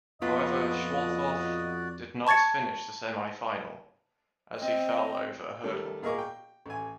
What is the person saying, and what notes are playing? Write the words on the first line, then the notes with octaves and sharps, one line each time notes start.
However, Schwarthoff did not finish the semi-final as he fell over a hurdle.
F2 A#2 B3 F4 F#4 D5 D#5
A5 C#6 G#6 A6 C#7
C4 D#5
D#3 G3 A3
A#2 G#4 A#4 D#5 C#6 D6
G5
A1 G#5